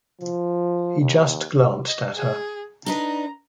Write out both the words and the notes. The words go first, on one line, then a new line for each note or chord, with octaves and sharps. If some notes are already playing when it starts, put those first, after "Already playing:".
He just glanced at her.
F3
D#2
D#5
G#4
D4 D#4 B4 A#5